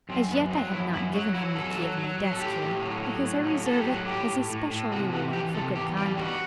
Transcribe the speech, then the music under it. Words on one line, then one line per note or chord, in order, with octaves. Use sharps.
As yet I have not given him the key of my desk here, because I reserve it as a special reward for good conduct.
F#2 C4
F#2 B3
F#3 C4
F#2 E4
F#2 E4
F#3 F#4
F#3 E4
F#2 A4
F#3
F#3
F#3
A4
A2 G4
A2
F#3
F#3
A2
F#3
F#3 A4
G4
A2
F#4
A2 G4
A2
A2
A2
C3 F#4
C3 F#4
E3 G4
C3 A4
E2 G4
G3 G4
G3 F#4